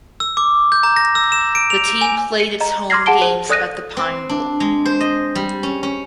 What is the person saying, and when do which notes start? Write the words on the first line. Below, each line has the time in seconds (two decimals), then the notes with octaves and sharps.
The team played its home games at the Pine Bowl.
0.20 E6
0.37 D6
0.72 G6
0.83 A#5
0.96 A#6
1.15 E6
1.32 E7
1.55 D7
1.70 F7
2.01 G#5
2.40 C#7 D#7
2.61 D#5 A#5
2.90 C6 D6 F6 G#6 A#6 C7
3.06 G#4 F#5 A5 D7 G7
3.21 C5 D#7
3.49 A4 D5 D#6 F#6 A#6 D#7
3.97 C4
4.29 D4
4.60 G#3
4.86 C5
5.01 D#5
5.35 G3
5.63 C#4
5.83 C#4